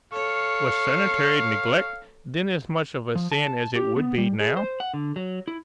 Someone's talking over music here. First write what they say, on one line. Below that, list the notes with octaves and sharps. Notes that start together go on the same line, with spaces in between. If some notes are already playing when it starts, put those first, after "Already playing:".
Was sanitary neglect then as much of a sin as it would be now?
A4 C#5 F5 C#6
F3
A5
G4
B3
G3
G#4
C5
F#5
D3
F#3
E4